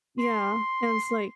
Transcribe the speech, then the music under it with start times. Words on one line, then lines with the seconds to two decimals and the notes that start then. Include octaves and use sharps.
Yeah, and it's, like
0.19 C6